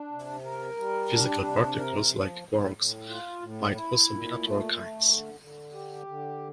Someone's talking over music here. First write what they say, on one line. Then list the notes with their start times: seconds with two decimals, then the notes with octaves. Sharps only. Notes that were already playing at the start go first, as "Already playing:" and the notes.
Physical particles, like quarks, might also be natural kinds.
Already playing: D4
0.12 C3
0.44 A#4
0.77 G3
1.11 D4
1.44 C3
1.76 A#4
2.10 F3
2.42 A2
2.76 A2
3.09 F4
3.42 A2
3.75 E4
4.08 A#2
4.41 A3
4.74 A3
5.07 D3
5.40 D3
5.73 G4
6.06 D3